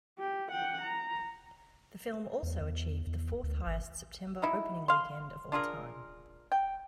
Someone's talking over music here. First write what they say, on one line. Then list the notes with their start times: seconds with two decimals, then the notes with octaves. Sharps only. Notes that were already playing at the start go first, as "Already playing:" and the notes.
The film also achieved the fourth-highest September opening weekend of all time.
0.19 G4
0.51 F#5 G5
0.81 A#5
2.43 E2
2.61 E2
3.07 E2
3.43 D2
3.66 G#1
4.42 F#3 D#4 E4
4.88 F5 C6
5.52 D4 F4 G#4 A#4
6.52 G5